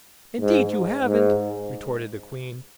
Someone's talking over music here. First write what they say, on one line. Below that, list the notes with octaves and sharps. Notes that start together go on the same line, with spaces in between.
"Indeed you haven't!" retorted the Queen.
G#2
G#2